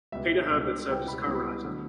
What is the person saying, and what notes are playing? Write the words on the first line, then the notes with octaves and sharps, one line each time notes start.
Peter Herbert served as co-writer.
C#2 B2 G3 E5
C#2 B2 G3
C#2 B2 G3 B3 E4 G5
B5
C#2 B2 G3 B3 E4
B5
D3 F#3 A3